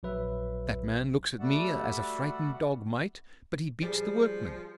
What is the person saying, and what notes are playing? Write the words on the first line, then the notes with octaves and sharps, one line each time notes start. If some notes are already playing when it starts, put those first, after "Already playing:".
That man looks at me as a frightened dog might, but he beats the workmen.
A#1 F#3 B4 E5
G3 A3 F#4 D5 E5 F#5
F3 G3 G#4